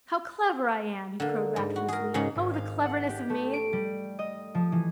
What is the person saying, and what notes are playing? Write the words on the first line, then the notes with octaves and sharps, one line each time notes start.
"How clever I am!" he crowed rapturously, "oh, the cleverness of me!"
D3 A#3
G#2
F#4
G#4 A#4
G#2 C#3 D#4 G#4 F#5
G#1
F5
F#5
G4
A3
D7
G3
D#5
F3
E3